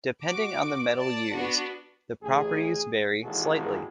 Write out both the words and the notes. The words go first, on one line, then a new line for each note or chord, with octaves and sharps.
Depending on the metal used, the properties vary slightly.
F#4 D6
D5 A5
B3 D4 F#4
A1 G#4
G#1 D#2 E3 F#4 G#4 A4